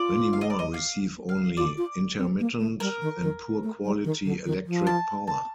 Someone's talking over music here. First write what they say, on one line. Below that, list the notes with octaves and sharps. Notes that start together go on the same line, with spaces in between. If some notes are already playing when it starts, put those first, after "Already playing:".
Many more receive only intermittent and poor quality electric power.
Already playing: F4 D5
F5
D#5
D5
D#5
F5
F5
F4 D5
F4
C4
A#3
A3
G3 A#4
D#3
D#3
A3
G3
D#3
D3
D#3
F3
A5
A5